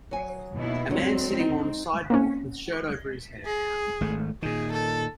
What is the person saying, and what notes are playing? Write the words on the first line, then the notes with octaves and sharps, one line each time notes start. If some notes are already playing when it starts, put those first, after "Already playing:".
A man sitting on sidewalk with shirt over his head.
F#3 G#5
D#2 B2 E4
D3 F#3 G#3 C4
D#4
A#3 C4 C#4
G#4
G#1 A3
A#2 D#3 G#4
A4